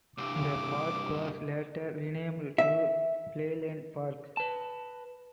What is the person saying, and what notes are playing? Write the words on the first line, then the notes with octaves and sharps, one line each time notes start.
The park was later renamed to Playland Park.
C2 G2 D6
E5
B4 A5